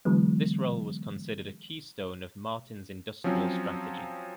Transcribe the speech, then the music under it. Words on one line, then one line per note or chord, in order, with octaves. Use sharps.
This role was considered a keystone of Martin's industrial strategy.
D3 E3 F#3 G#3 B3
F3 F#3 C4 C#4